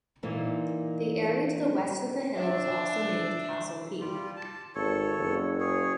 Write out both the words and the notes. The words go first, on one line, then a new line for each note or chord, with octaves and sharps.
The area to the west of the hill was also named Castle Peak.
A#2 E3 A#3 D#4
D4 E5
G3 F4
A5
G#1 A4 C#5
F#1
G#4 C#5